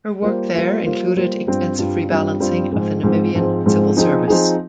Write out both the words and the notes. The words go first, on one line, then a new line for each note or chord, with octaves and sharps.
Her work there included extensive rebalancing of the Namibian civil service.
G3 A#3 F4 C5
G3 A#3 F4 C5
G3 A#3 F4 C5
G3 A#3 F4 C5
G2 G3 C4 F4
G2 G3 C4 F4
G2 G3 C4 F4
G2 G3 C4 F4
G#2 F3 G#3 C4
G#2 F3 G#3 C4
G#2 F3 G#3 C4
G#2 F3 G#3 C4
F3 C4 D#4 G#4
F3 C4 D#4 G#4